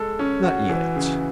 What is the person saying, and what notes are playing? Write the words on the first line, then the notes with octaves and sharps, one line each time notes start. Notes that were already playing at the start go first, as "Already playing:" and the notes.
"Not yet."
Already playing: G#3 A4
C#4
F#4
E3
C#3